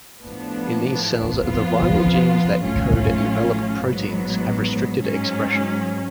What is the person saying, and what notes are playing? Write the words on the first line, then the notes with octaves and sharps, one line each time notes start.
In these cells the viral genes that encode envelope proteins have restricted expression.
A2 F3 B3 D4
F2 F3 B3 F4
A1 A2 F#3 C#4 F4
A1 G#2 F#3 B3
G#2 F#3 C#4